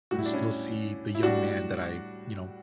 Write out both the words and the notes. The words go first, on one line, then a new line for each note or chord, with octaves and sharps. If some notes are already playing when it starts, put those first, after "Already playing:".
and still see the young man that I, you know,
A2 G3 F#4
E4
D4
C#4 E4
E4
A2 G3 D4 F#4